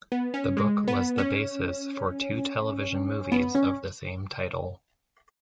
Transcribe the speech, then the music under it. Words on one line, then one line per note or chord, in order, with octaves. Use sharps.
The book was the basis for two television movies of the same title.
B3
C#4
G#3
B3
C#4
B3
C#4